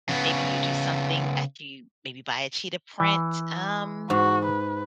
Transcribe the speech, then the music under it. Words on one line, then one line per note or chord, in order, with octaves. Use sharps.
Maybe you do something that you maybe, buy a cheetah print, um,
C#3 B3
E3
G#2 F#4
B4